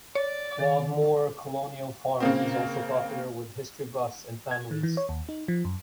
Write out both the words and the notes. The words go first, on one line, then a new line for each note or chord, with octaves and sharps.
Claude Moore Colonial Farm is also popular with history buffs and families.
C#5 D5
D#3 A6
C#3 A#3 C4
G#6
D#3
E3
C#5
D#2
D#4
F3
F#2